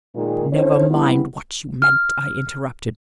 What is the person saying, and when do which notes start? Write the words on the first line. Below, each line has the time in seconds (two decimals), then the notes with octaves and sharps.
"Never mind what you meant!" I interrupted.
0.15 A#2 D#3 G#3
0.53 C#4 D4 E4 A4 C5 C#5
0.90 F3 G3 B3 E4
1.82 F6